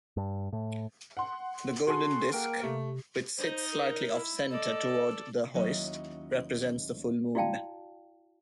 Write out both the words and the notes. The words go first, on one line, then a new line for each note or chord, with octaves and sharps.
The golden disk, which sits slightly off-centre toward the hoist, represents the full moon.
G2
A2
F#5 C6
F#4 G#4 A4 C6
A#3 A#4 G5
C3 A3
D#4 C5 D#5
A#4
E4
A4 D5 D#5
D#2 F#3 C#4 E4 D#5
E4 F#4 D5 F5 G5 A5